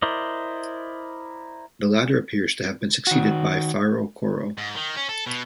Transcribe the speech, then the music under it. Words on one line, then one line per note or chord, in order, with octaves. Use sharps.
The latter appears to have been succeeded by Fara Coro.
E4 A#4 C5 D5 D#5
D#3 F#4
G#2
D#3
C#4
A4
B2